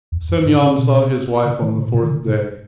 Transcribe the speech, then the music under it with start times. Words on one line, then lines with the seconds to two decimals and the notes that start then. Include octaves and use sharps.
Semyon saw his wife on the fourth day.
0.12 E2
0.29 F#2
0.45 G#2
0.62 C#3
0.78 B2
1.45 C#3
1.61 D#3
1.78 C#3
1.88 A#2
1.94 B2
2.03 D#3
2.11 C#3
2.27 B2